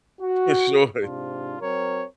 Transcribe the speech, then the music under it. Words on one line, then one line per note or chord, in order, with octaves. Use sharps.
For sure.
F#4
G#2 C3 D4 F4
F#3 C4 A#4 C#5